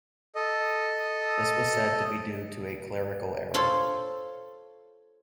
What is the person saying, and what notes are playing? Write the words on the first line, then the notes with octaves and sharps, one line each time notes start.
This was said to be due to a "clerical error".
A4 D#5
F4 A4 C5 C#5